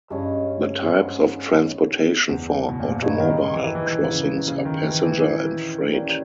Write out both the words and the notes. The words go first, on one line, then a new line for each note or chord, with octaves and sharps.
The types of transportation for automobile crossings are passenger and freight.
G2 G#3 C#4 G#4
G#2
E2
B2
A#2
G#2
G2 B3 D#4 G#4 C#5
D#3
D#3
E3
E3
C#3
C#3
D#3
E3
E3
E3
G3 A#3 C#4